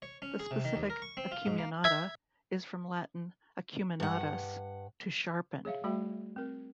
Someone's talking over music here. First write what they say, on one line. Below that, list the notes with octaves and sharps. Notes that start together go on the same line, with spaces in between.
The specific "acuminata" is from Latin "acuminatus", "to sharpen".
C#5
C#4
G#4
C3
D#3
D#2
A#4
C#6
C4
F4
G#2
A#3
E5 G#6
G2 F#5
G#4 C#5 E5 F5
G3 A3 F#4 E5 G5 B5
C4 A#4